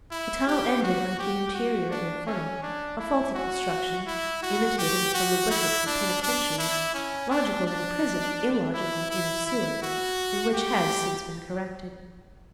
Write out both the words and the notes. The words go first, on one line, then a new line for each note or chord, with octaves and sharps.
The tunnel ended like the interior of a funnel; a faulty construction, imitated from the wickets of penitentiaries, logical in a prison, illogical in a sewer, and which has since been corrected.
E4
G4
F#4
G4
F#4
D4
C#4
D4
E4
F#4
E4
F#4
G4
F#4
E4
D4
D4
E4
C#4
D4
D4
E4
E4
E4
F#4
G4